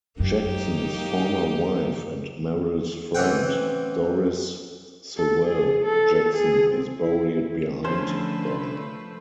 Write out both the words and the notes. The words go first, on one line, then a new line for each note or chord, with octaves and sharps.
Jackson's former wife and Merrill's friend, Doris Sewell Jackson is buried behind them.
F#2 A#3 D#4 G4
A1 E3 B3 C4 F#5 G5
A4
G#4
A4
G#4
C4
E4
E4
D3 F3 A3 C#4 B4 C5